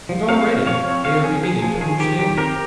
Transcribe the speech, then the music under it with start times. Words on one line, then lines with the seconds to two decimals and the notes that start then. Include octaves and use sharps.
And already they are beginning to understand it.
0.09 F3
0.28 C4 C#5 F5
0.48 C4
0.67 F3 C#5 F5
0.86 C4
1.04 C4 C#5 F5
1.24 F3 G#4
1.43 F3 G#4
1.62 F3 G#4
1.80 D#3 G#4
2.00 D#3 G4
2.18 D#3 G4
2.38 C4 G4 A#4